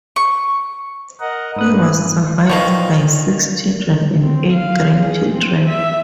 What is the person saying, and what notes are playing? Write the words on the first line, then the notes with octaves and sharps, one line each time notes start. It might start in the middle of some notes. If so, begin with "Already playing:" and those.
He was survived by six children and eight grandchildren.
C#6
A#4 D#5 F#5
G#2 D4 B4 D#6 F#6
A#2 D#3 F3 A#3 B3 C#6
C4
F5
G#4
C4
E5